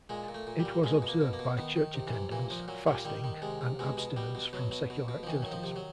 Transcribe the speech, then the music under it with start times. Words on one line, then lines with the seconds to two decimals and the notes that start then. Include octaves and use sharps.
It was observed by church attendance, fasting, and abstinence from secular activities.
0.09 A#2 G#3
0.28 A#2
0.34 A3
0.47 A#2
0.59 G3
0.65 A#2
0.83 B2 G#3
1.02 B2
1.08 A#3
1.21 B2
1.33 A#3
1.39 B2
1.57 D#3 B3
1.76 D#3
1.94 C3
2.07 E3
2.13 C3
2.32 A#2 E3
2.50 A#2 F3
2.68 A#2 F#3
2.87 A#2 G3
3.05 D#3 G3
3.24 D#3
3.42 C3 G#3
3.61 C3
3.79 B2 G#3
3.97 B2
4.16 B2 G3
4.35 B2
4.53 B2 F#3
4.71 B2
4.90 B2
5.08 B2
5.23 F3
5.27 D#3 E3
5.42 D#3 F#3
5.52 F3
5.64 C3
5.76 F#3